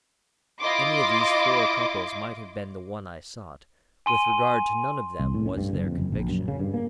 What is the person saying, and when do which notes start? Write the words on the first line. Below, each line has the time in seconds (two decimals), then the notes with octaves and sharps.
Any of these four couples might have been the one I sought; with regard to none of them was there conviction.
0.62 E4 F4 D#5 C6 D6
4.06 G#5 C6 D#7
5.19 C2
5.34 A2
5.46 C#4
5.58 G2
5.73 F#1
5.86 F2
5.98 F#1
6.12 A#1
6.29 F#2
6.48 C#3
6.59 G2
6.74 A#3